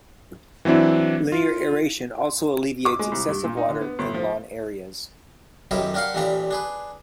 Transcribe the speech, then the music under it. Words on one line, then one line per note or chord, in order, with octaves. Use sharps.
Linear aeration also alleviates excessive water in lawn areas.
E3 F#3 C4 D4 E4
F4
D6
G#3
C2
G2
A#2
D#4
D3
B3
G1
F3
B1 F#2 D#3 E4 G4 D#5
D4 G4 A#4 F5 C6
A1 A#2 E3 D4 G4 A#5
D4 G#4 B4